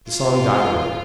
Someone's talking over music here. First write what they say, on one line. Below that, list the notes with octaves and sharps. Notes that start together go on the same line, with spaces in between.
The song died away.
F4